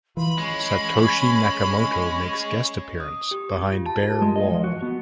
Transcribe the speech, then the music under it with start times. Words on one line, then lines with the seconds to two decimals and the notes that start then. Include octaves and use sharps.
Satoshi Nakamoto makes guest appearance behind Bear Wall.
0.17 E3 F4 B5
0.38 G#3 C#4
3.00 D#6
3.31 G4
3.54 G4
3.72 F4
3.86 A5
4.01 A#4
4.21 G#3
4.36 D#5
4.51 F3
4.64 F#4
4.82 B3